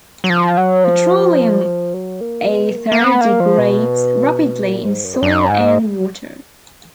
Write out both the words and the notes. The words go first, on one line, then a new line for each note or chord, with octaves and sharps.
Petroleum ether degrades rapidly in soil and water.
F#3
F3
F#3
F3
F#3
A#3
B3
A#3
A#3
B3
A#3
F3
B2
A#2
F#2
G#2
F#2
F#2
G#2